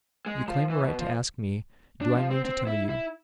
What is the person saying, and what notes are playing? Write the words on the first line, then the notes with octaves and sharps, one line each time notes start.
You claim a right to ask me do I mean to tell you.
G#3
F3
E3
B2
F3
D4
F3
C4
C4
E4
E4